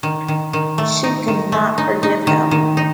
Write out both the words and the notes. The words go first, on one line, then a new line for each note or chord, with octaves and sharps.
She could not forgive him.
D#3
D#3
D#3
A3
D#4
D#3
A3
D#4
D#4
D#3
D#3
D#4